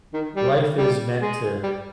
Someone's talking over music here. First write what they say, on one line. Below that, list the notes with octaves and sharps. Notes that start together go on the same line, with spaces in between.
life is meant to,
D#3
G3
G3
G#3
G3